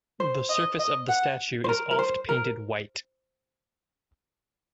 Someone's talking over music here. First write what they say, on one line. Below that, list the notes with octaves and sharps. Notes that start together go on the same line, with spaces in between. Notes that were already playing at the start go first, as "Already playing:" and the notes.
The surface of the statue is oft painted white.
C5
D#5
D#5
F#5
C5
A#4
A#4
C5
A#4